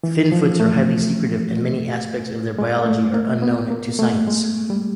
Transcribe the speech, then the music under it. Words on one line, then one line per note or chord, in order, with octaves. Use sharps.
Finfoots are highly secretive and many aspects of their biology are unknown to science.
E3
F3
A3
G#3
A3
A#3
B3
A#3
A3
G#3
G3